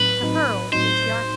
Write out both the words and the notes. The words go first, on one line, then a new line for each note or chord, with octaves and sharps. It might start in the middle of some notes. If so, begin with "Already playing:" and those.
To her, old patriarch!
Already playing: A2 F#3 C4 D#4 B4
A2 F#3 C4 D#4
A2 F#3 C4 D#4 C5